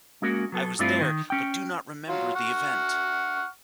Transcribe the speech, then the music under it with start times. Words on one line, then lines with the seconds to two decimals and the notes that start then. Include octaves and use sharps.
I was there but do not remember the event.
0.22 G#3 A#3 C#4 F#4 A#4
0.52 F#3 B3 A4
0.79 G2 A3 C4 D4 E4 F4
1.01 D#3
1.30 C#4 G5
2.09 F#3 F4
2.35 F#5 C#6 F6